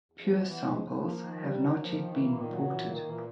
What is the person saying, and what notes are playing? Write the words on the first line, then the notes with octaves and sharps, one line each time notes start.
Pure samples have not yet been reported.
E2
F3
B2
E3 B3
G#3
F3
E2 F#3
F3 A#3
D#3
G3
D#3 F#3
A#3
F3
D#3
E3 A#3
A#2
D#3
F#3
D#3
A#2 E3
A#3
D#3
A#2
E3